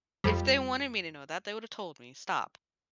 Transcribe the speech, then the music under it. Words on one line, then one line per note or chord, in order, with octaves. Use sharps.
If they wanted me to know that, they would have told me, stop."
F2 G3